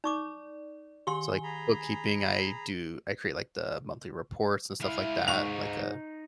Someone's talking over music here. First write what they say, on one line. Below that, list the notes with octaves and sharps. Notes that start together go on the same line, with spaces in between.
so, like, bookkeeping, I do I create like the monthly reports and stuff like that, like a
D#4 D5 C#6 D6
D#3 G4 G#5 C6 G7
G#4 A#5 B5
G#3 E4 F5
G#2 D#4 C#6 F7